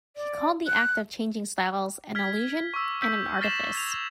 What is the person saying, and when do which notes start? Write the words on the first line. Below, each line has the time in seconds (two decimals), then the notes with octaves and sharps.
He called the act of changing styles an "illusion" and an "artifice".
0.16 D5
0.67 F#6
2.15 F6 G#6 B6
2.74 C#6 D6 E6
3.02 E6 G6 B6
3.41 F6 A6 A#6 C7 E7 F#7
3.75 G#6 F7